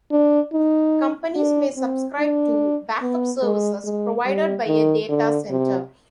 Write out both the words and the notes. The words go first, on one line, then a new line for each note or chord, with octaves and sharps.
Companies may subscribe to backup services provided by a data center.
D4
D#4
D4
C4
D4
B3
G#3
G#3
G3
D#3
D3
C3